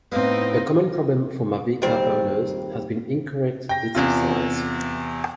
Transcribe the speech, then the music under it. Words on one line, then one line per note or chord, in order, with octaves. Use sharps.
A common problem for Mavica owners has been incorrect disc size.
A2 B3 C4 D#4 B4 D#5 F5
D#2 G3 C4
G5 A#6
E2 C3 F4